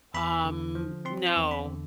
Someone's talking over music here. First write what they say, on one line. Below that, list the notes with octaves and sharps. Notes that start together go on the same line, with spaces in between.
Um, no.
E2 B5
D3
F3
C4 C6
C6
E2
B5
D3